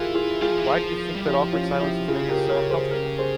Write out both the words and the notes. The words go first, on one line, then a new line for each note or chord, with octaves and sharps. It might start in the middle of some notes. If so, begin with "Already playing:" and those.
Why do you think that awkward silences make us so uncomfortable?
Already playing: E3 E4 F4 G4 G#4 A#4
F4 G#4
G3 F4 G#4
F3
E3
F3
G3
F3 E4 G4
C#4 F4
E4 G4
C#3 F4 G#4
G4 A#4
A#4 C#5
G#4 C5
G4 A#4
G#4 C5